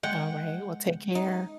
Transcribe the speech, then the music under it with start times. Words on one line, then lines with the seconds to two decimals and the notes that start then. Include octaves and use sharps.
Alright. Well, take care.
0.03 G#3 F#5 G5
1.15 D#4